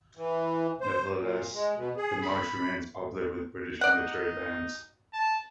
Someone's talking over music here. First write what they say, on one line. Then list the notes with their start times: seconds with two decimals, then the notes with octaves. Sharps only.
Nevertheless, the march remains popular with British military bands.
0.17 E3
0.81 C5
1.19 A#2
1.53 G#3
1.77 B2
1.97 G#4
2.22 B5
3.81 D#4 D5 F#5
5.13 A5